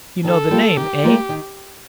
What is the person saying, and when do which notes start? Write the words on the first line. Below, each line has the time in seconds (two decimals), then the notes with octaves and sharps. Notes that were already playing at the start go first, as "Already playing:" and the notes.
"You know the name, eh?"
0.24 D#3 A4
0.51 G3 A#3 F4
0.76 D#3 G4
1.04 G3 A#3 F4
1.29 D#3